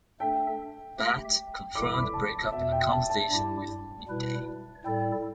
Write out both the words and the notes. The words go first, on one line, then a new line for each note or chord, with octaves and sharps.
Bhatt confirmed the break-up in a conversation with "Mid-Day".
A3 D4 A4 E5 G5
A3 G4 E5
E3 G3 E4 A4 E5 D6
B5
A5
E2 B2 B3 E5
G5
A5
A5
G2 G3 E4 G4
B2 G3 E4 B4
A2 G3 E4 A4 D5 G5